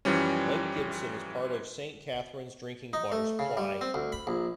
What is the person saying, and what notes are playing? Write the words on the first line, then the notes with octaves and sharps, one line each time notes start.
Lake Gibson is part of Saint Catharines' drinking water supply.
F#2 E3 F3 G3 C#4
D#4
A3
C#3
G3
C4
D2
B5
A#1